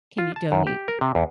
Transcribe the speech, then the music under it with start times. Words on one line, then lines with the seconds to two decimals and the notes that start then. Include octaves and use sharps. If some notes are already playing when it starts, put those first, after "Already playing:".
"Can you donate"
0.18 F4
0.36 A5
0.52 F#2
0.67 G4
0.88 A#4
1.01 C3
1.15 E2